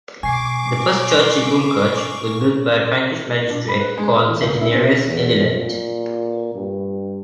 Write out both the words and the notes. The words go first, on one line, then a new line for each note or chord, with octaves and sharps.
The first church in Umkirch was built by a Frankish magistrate, called Centenarius Elilant.
B2 G#5 C#6 D6 C7
D4
B5
B4
G#3
E5
E3
C#2
E4
C4
E2
A#2
G2